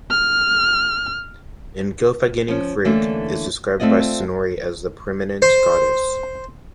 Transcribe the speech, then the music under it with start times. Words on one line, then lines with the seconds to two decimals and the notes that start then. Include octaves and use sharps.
In "Gylfaginning" Frigg is described by Snorri as the preeminent goddess.
0.10 F6
2.48 F3 C#4
2.85 D3 E3 A3 A#3 C#4 D4
3.80 A3 C4 F4 D5 D#5
5.42 C5